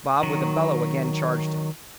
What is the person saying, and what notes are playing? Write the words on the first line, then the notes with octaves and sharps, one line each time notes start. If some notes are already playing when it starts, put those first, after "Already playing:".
Bob with a bellow again charged him.
D#3 F#3